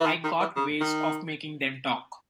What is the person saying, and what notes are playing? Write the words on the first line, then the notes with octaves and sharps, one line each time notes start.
I got ways of making them talk.
E3
D#3
D#3
E3
C#3
D#3